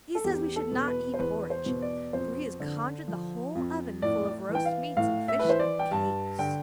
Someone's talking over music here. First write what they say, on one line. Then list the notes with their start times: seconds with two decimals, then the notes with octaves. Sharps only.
'He says we should not eat porridge, for he has conjured the whole oven full of roast meats and fish and cakes.'
0.15 A4
0.24 E2 G4
0.56 A4
0.72 B2
0.88 B4
1.14 C5
1.19 E2 B4
1.50 C5
1.66 B2
1.82 D5
2.13 F2 C5
2.60 D3
3.08 F3
3.55 F2
4.02 A2 D5
4.49 E3
4.55 G5
4.65 F5
4.97 A2 F5
5.28 E5
5.40 B4
5.45 E3 C5
5.60 D5
5.79 G5
5.91 G2 A5
6.39 D3 G5